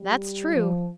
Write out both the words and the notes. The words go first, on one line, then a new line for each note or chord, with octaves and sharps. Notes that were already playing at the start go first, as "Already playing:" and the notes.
"That's true."
Already playing: G3
F3